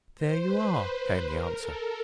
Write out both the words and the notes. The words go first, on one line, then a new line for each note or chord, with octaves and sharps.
"There you are," came the answer.
C5
B4
C5
A#4
A4